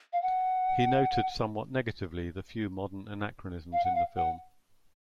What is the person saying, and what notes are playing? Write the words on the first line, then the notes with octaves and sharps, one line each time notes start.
He noted somewhat negatively the few modern anachronisms in the film.
F5
F#5
F5
F#5
F5
F#5